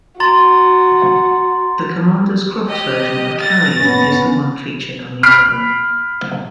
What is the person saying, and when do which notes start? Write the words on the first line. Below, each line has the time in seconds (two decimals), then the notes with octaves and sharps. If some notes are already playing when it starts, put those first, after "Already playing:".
The Commander's Croft version of "Carrion" is the one featured on the album.
0.20 F#4 A#5 C6 A6
2.68 G4 D#5
3.40 A6 A#6
3.79 B3 C#4
5.23 B5 F6 F#6 B6 C7 D7